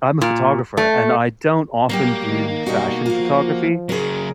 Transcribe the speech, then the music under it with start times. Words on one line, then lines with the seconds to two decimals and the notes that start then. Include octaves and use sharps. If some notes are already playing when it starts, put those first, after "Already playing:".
I'm a photographer, and I don't often do fashion photography.
0.21 A#2
0.77 A3
1.89 F#3 G3 A#3 G4
2.29 D#3
2.66 B2 G3 D#4 F#4
3.06 F3 F4 F#4
3.89 C#3 F#3 G#4 A#4